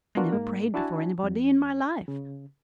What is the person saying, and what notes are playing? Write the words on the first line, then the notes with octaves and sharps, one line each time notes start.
I never prayed before anybody in my life.
B3 D4 F4 F#4 A#4
G#2 A#3
D4 E4 F#4 G#5 A5
F2
C#3